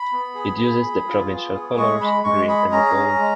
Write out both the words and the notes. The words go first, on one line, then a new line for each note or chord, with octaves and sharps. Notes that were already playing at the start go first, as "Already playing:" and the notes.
It uses the provincial colours, green and gold.
Already playing: B5
B3
G#4
G#4
G#4
F4
B3
G#4
G#3 C#6
G#3 B5
G#3 C#6
G#4 B5
C#4 A#5
C#4
G#3